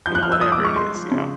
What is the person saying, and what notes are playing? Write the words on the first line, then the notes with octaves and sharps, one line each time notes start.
you know, whatever it is, you know?
F3 G6
F#6
F3 F6
E6
F3 D#6
D6
G#3
C#6
G#3 C6
F3
C#3